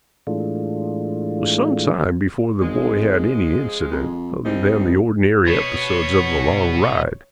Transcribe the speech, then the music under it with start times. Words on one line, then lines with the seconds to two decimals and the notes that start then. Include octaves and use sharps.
It was some time before the boy had any incident other than the ordinary episodes of the long ride.
0.27 A2 E3 G#3 A3 D4 F4
2.61 G#1 C#3 F3 G#3
3.91 F2
4.45 C2 G3 C4 D#4
5.47 B2 B3 C#5